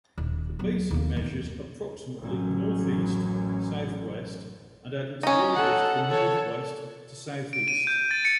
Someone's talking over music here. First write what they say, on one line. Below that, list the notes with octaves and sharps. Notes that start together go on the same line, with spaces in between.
The basin measures approximately northeast-southwest and at its widest from northwest to southeast.
D#1
F#3 B3
D#2 A#3
F#2 E3
A1 F#2
C#4 D#4
A4 F#5
A4 C#5
D7
D#7
G6
A6
C#7